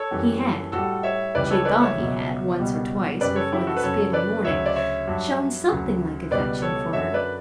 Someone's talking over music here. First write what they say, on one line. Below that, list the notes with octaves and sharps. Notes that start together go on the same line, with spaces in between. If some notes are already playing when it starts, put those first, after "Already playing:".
He had--she thought he had, once or twice before this fatal morning, shown something like affection for her.
Already playing: A4 C#5
F#2 E3 G3
A2 G3 F#4 A4
C#5 E5
C#2 C#3 E3 G3 B4 D5
A4 C#5
B4 D5
C#5 E5
C#2 B2 F#3
C#2 B2 G3
F#2 C#3 G3 B4 D5
A4 C#5
E4 G4
F#4 A4
B4
F#2 C#3 F#3 A4 C#5
B4 D5
D2 C#3 F#3 C#5 E5
D5
C#5 E5
G2 F#3
D2 C#3 F#3
C#2 B2 G3 B4 D5
A4 C#5
F#2 D3 F#3 C#5 E5
B4 D5